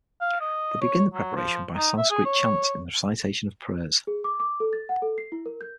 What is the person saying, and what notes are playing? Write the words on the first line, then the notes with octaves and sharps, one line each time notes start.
They begin the preparation by Sanskrit chants and recitation of prayers.
F5
D#5
C#5
F#3
F3
D#4
E5
G#4
C#5
G#4
D6
D6
A4
A6
F#5
A4
C7
E4
A#4
G6